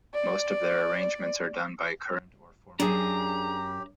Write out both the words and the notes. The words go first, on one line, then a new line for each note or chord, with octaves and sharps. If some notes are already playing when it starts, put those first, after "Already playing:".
Most of their arrangements are done by current or former members of the group.
D5
F#2 D4 G4 G#4 A#5